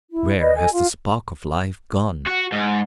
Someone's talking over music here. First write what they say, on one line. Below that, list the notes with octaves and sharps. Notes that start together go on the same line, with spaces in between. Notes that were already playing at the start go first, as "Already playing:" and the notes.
Where has the spark of life gone?
E4
B4 D5 D#5
A4 D#5 G#5
F4
F#4
G#2